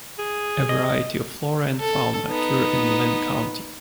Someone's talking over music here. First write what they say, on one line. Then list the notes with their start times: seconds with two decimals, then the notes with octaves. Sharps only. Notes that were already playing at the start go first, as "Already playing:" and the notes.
A variety of flora and fauna occur in Linn County.
0.19 G#4
0.69 D#5
1.80 A4
2.29 B3 D#4